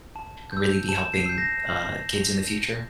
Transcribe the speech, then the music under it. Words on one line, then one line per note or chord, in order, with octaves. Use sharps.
really be helping, uh, kids in the future?
A5
E6 G6
A5 E7
C7
E6 G6
A#6